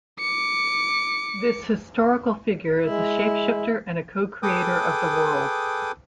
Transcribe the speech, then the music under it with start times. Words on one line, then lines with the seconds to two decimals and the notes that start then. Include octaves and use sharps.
This historical figure is a shapeshifter and a cocreator of the world.
0.20 D6 C#7
2.84 G#3 E4
4.43 G#4 A4 B4 G5 D6 D#6